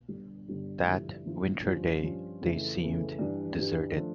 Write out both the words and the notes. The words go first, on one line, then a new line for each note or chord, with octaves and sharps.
That winter day they seemed deserted.
G1 G2 D3 G3
G1 G2 D3 G3
G2 D3 F3 A#3 E4
G2 D3 F3 A#3 E4
G2 F3 C#4 F4
G2 F3 C#4 F4
F2 C#3 E3 A3 E4
F2 C#3 E3 A3 E4
G2 E3 G3 D4 G4
G2 E3 G3 D4 G4
F3 A3 D4 A4